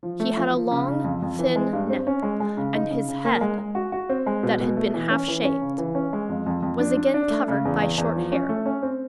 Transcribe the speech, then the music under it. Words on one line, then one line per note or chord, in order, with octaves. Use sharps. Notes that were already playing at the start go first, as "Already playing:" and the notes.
He had a long thin neck, and his head, that had been half shaved, was again covered by short hair.
F3
A3
F3
F3
C#3
C#3
F2
F2
E3
G#3
G2
C4
C#4
G#3
G#3
C#3
D#4
C#3
C#3
A#3
G#3
G#3
F#4
F#4
C4
G#3
B2
B2
A3
E3
C#4
E3
C#4
C#3
E3
C#4
G#3
F2
F2
F2
D4
D4
D4
A3
C#3
E2
E2
E2
F3
C#4
A3
C#4
C4